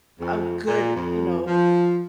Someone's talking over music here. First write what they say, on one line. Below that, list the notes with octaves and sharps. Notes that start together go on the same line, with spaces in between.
a good, you know,
F2
A#2
F2
F3